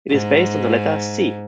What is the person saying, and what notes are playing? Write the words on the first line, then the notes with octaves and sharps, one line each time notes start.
It is based on the letter "c".
G#2